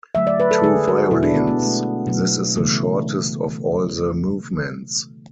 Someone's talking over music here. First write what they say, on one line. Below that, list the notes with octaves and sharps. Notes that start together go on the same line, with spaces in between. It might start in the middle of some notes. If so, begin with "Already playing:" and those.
Two violins: this is the shortest of all the movements.
D3 F#3 A3 E5
D5
B4
A4
D3 G#3 G#4
F#4
B2 G#3 E4
D4
B3
B3
B2 A3
B2 F#3 A3
C#3 E3 A3